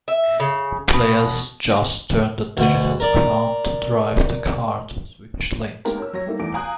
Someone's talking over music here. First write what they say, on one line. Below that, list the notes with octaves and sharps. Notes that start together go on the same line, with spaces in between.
Players just turn the Digital Crown to drive the car to switch lanes.
E5
C#3
B2
D2 B2 F#5
A#4 D5
G#3 A#3 B3 D#4 G4 A#4
C#4 A#4 E6
F#3 C#5 A#6
G3 A3 A#3 D#4
E2 E3 A3 D6 D7
F5 G#5 A#5 D#6 F#6 G6